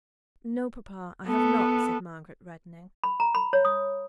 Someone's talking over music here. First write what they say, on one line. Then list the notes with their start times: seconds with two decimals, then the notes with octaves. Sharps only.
'No, papa; I have not,' said Margaret, reddening.
1.27 B3 A4
3.04 B5
3.20 A#5
3.35 B5
3.53 C#5
3.65 D#6